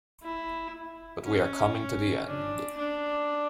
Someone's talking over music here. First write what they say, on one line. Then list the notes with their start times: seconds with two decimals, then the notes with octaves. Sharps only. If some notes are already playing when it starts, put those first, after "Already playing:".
But we are coming to the end.
0.23 E4
1.24 C#4
2.27 D4
2.77 D4